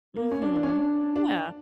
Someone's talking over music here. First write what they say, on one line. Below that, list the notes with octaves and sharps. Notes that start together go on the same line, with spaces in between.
Mhm. Yeah.
A#3
C#4
D4
D4
C#4
D4
D4